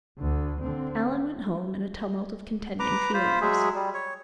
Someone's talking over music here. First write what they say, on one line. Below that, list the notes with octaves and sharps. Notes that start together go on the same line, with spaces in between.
Alan went home in a tumult of contending feelings.
D2 D3
D3 C4
B4 A#5 D6
F4 C5 B5
F#3 G#3 G#4 E5
G3
C#5